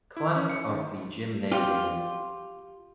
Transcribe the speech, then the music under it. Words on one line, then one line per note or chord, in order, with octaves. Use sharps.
Class of the gymnasium.
E4
C#4
C#7
D#3
F4 G4